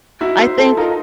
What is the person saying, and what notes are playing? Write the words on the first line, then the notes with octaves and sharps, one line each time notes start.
I think
D#4 E4 F#4
C5
A4
D#4 F4 A#4